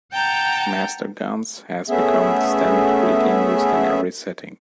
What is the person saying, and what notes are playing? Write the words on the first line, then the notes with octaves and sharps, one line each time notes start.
"Master Guns" has become the standard greeting used in every setting.
F#5 G5 A5 A#5 G6
A3 B3 C#4 G#4 E5